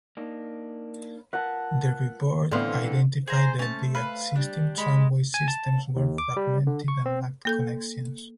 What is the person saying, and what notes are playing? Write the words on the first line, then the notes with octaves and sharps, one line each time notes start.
The Report identified that the existing tramway systems were fragmented and lacked connections.
A#3 D4 D#4
F4 A#4 B4 F#5 A5
A2 D3 E3 B3 C4 D5 F5 C6
G#4 C5 A#5
A3 C#4 A5
B4 F5
G3 D4
G#3 B5
G#5
A5
D#2
D6
G3
D3
C#6
C4
A#3 A4 G6